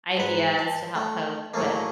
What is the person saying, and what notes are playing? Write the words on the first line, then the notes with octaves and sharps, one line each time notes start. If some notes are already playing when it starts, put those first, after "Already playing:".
ideas to help cope with,
G#2 B4
A5
A3
A2 C#3 F#3 A3 A#3